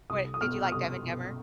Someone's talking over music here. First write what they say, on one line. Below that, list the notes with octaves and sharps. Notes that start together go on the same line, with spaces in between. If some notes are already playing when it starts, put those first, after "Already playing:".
What did you like Dumb and Dumber?
C2 D#6
D#6
B2 B3 F6
F6
C2 D#6
B2 B3